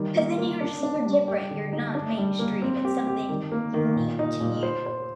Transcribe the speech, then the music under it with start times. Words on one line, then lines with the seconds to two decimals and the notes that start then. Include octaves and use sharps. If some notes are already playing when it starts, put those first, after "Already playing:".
'Cause then you're just you're different. You're not mainstream. It's something unique to you.
Already playing: D#3 G3
0.15 A#3
0.38 A#3
0.61 D4
0.83 D4
1.05 G3
1.28 G4
1.51 D3
1.73 D#4
1.95 D4
2.17 G3
2.39 A#3
2.62 C4
2.85 G4
3.07 G4
3.29 D#3
3.52 A#3
3.74 D#3
3.96 A#2
4.19 D#4
4.41 A#2
4.63 C5
4.86 C5